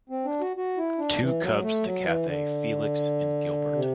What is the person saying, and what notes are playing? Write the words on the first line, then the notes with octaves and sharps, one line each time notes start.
Two cubs to Cathay: Felix and Gilbert.
C4
D4
F#4
F#4
E4
D4
E3
F#3
A3
F#3
E3
D3
C3